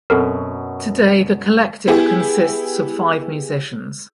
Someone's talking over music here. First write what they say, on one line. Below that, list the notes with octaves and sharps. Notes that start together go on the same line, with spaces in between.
Today the collective consists of five musicians.
F#2 B2 C4 A4 A#4
B3 E4 G4 G#4